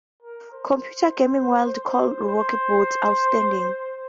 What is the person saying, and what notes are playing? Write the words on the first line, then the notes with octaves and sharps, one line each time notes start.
"Computer Gaming World" called "Rocky's Boots" "outstanding".
A#4
C5
C5